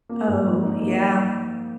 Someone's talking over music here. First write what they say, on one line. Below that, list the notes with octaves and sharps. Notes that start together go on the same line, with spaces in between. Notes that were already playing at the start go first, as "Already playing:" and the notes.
Oh, yeah.
A#3
G#2
F3
D#4
A#3